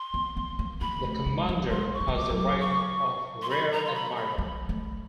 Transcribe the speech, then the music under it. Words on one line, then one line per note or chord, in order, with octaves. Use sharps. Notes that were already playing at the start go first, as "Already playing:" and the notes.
The commander has the rank of rear admiral.
Already playing: C6
B3
B3
A#3
A#3 B5
A3
G#3
G3
G#3 C6
C#6
G3
F#3
G3 D6
F#3
D6
C#6
C6
B5
A#5
C6
B5
B5
G3
A3